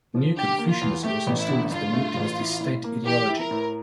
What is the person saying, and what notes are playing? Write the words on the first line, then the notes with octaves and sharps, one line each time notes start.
Neo-Confucianism was installed as the new dynasty's state ideology.
F3
D3 G4
A#3
F4
E2
A3 G4
A1
E4
D3
G2 F4
A3
A1
E4
A2
A#3
E3 G4
E4
A#4
A2